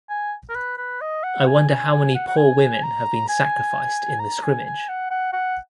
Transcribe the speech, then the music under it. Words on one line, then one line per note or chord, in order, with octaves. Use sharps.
I wonder how many poor women have been sacrificed in the scrimmage?
G#5
A#4
B4
B4
D#5
F#5
G#5
G#5
G#5
F#5
F#5
G#5
A#5
G#5
A#5
G#5
G#5
F#5
F#5
F#5